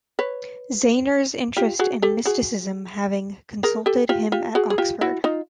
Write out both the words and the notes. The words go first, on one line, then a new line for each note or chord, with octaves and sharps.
Zaehner's interest in mysticism, having consulted him at Oxford.
B4 C#5
F4 G4
F#4 G#4
G4 A4
F#4 G#4
G#4 A#4
G4 A4
F4 G4
F4 G4
F#4 G#4
G#4
F4 G4
E4 F#4
D#4 F4